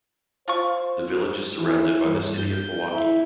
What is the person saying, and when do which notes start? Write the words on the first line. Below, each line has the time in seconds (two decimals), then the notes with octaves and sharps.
The village is surrounded by the City of Pewaukee.
0.48 F4 C5 C#6
1.56 E3
2.07 G2
2.37 G6
2.92 E4